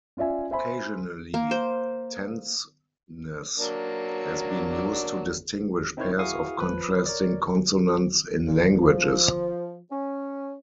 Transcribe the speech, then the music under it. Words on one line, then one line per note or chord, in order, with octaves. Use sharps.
Occasionally, tenseness has been used to distinguish pairs of contrasting consonants in languages.
C#4 F4 D5 E5 G#5
C5 E5 G#5 B5 C6
A#3
C5
F#3 A#3 D4
C4 D#4 E4 A#4 C5 C#5
E4 F#4 G#4 F5 C#6 D#6
F3 B4
A#4 C#5 D5
A#2
F3
C#4